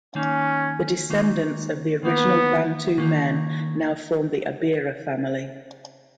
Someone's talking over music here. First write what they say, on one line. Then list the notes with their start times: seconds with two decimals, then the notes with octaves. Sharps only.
The descendants of the original Bantu men now form the Abira family.
0.15 D#3 A#3 C#4 D#4
1.10 D#3 A#3 D#4
2.03 D#3 A#3 B3 D#4
2.98 D#3 A#3 D#4